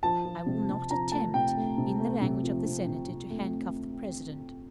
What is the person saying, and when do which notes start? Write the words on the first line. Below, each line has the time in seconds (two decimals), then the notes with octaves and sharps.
I will not attempt, in the language of the Senator, to handcuff the President.
0.03 F3 A5
0.25 F3
0.46 C3
0.69 C3
0.90 F3 A#5
1.12 A3 A5
1.34 C3 G5
1.57 A3
1.78 C3
2.00 A3
2.22 C3
2.43 F3
2.65 C3
2.86 C3
3.08 C3
3.30 A3